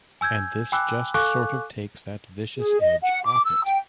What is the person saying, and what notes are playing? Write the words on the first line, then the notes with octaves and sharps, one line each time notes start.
And this just sort of takes that vicious edge off it.
G#5 E6 G6 G#6
G5 G#5 B5 D6 E6 F#6
A4 F5 G#5 C#6 D6 F#6
G#4
D#5
F#5
D6
E6
G5